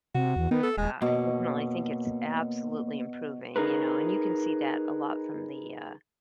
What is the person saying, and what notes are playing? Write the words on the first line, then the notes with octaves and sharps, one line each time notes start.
Yeah, I definitely think it's absolutely improving, you know, and you can see that a lot from the, uh,
C3 F#4
E2
D#3 B3
A4
D#1 G#3
B2 A#3 C#5
D#4 G#4 A#4 B4